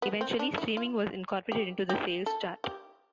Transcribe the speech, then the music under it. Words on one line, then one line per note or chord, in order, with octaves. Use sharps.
Eventually, streaming was incorporated into the sales chart.
B3
C4
D4
E4
F4
G4
G4
A4
G4